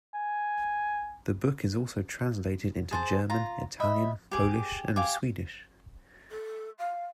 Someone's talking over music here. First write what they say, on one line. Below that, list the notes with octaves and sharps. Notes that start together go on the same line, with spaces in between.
The book is also translated into German, Italian, Polish and Swedish.
G#5
G#4 C5 A5
F4 A#5
D#5 E5 B5
G4 G#4 D6
G4 F5 G#5 D6
A4
F5